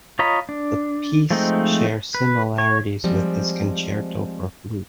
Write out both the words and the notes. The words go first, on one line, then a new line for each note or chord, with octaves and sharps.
The piece shares similarities with his concerto for flute.
F4 C#5 D#5 A#5 B5
D4
F3 G#3 A3 C4 D#4
B4
C#5
F3 G3 G#3 C4